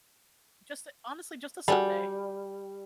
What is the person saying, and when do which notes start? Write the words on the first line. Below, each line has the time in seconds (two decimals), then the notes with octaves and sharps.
just a honestly just a Sunday.
1.68 G3 F#4 G#4 A4